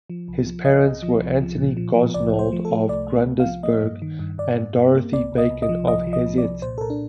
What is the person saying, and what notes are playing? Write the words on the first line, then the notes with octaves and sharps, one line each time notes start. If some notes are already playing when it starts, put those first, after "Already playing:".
His parents were Anthony Gosnold of Grundisburgh and Dorothy Bacon of Hessett.
F3
C2
F3
C2 D#5
C2
F3
C2
F3
A#2
F3
F3
C2 D5
A3
C5
F3
A4
A3
C2 D5
A3
C2
F5
F3
A#3 D#5
G2
D#3
G2
G2 D5
G2
G2
A#3
C2 D5
C2
D#5
C2
D#5
F3
C2 D#5
F3
D#5
C2
D5
C2
A#2 C5
A4
A#2 A#4
D4